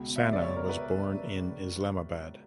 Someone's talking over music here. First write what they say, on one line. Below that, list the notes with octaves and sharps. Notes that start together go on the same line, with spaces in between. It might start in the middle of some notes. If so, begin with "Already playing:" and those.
Sana was born in Islamabad.
Already playing: C#2 B2
E5
D5
C#5
A#4
B4